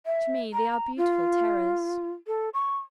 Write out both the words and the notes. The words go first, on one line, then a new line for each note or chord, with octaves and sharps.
To me they are beautiful terrors.
E5
A#5
F4
A4
C#6